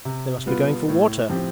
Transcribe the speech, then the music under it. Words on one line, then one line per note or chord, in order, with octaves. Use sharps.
'They must be going for water.'
C3
G3 B3 F4
A2
F3 C4 G4